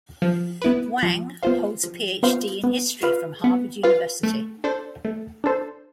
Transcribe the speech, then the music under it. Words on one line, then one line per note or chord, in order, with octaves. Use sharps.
Wang holds a Ph.D. in history from Harvard University.
F3
B3 E4 B4
F3
B3 F4 C5 F5
F3
B3 F4 C5 F5
B3
F4 B4 F5
B3
F4 B4 F5
A3
D4 A4 C5
A3
D4 A4 C5